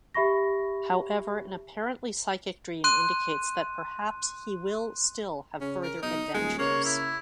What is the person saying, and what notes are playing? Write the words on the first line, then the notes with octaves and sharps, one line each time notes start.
However an apparently psychic dream indicates that perhaps he will still have further adventures.
G4 E5 B5 C#6 A#6
C6 F#6 D#7
C#3 C#4
A#4
B1 D#4
D#1 G#3
C#3 A#3 C#5
E4